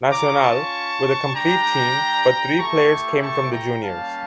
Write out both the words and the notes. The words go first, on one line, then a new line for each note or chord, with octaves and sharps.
Nacional, with a complete team, but three players came from the juniors.
C#4 F4 A#5 D6
A5 C#6
G3 D4 G4 G5 A#5
A3 E4 G4 A5 C#6
A5 C#6
G5 A#5
G3 A#3 C#4 F5 A5